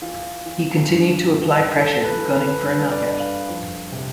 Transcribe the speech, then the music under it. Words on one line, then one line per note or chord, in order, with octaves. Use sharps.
He continued to apply pressure, gunning for a knockout.
E3 F4
E3
G2
G2
E3 A4
B4
E3
B4
G2 B4
D5
G2
F5
F2
C3